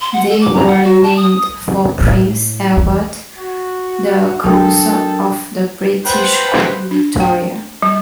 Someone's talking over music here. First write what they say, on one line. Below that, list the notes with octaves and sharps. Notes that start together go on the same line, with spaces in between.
They were named for Prince Albert, the consort of the British Queen Victoria.
C6
F#5
A4
D6
A#5
F#5
F#4
A5
D#6
A2
E2
F#4
F#3 D4 A4 A#4 G5 D#6 G6
B4 C5 F#5 G5
D4
G5
G3